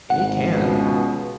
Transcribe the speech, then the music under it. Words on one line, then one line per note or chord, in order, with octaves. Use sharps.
A can.
G#1 F#5
C#2 B2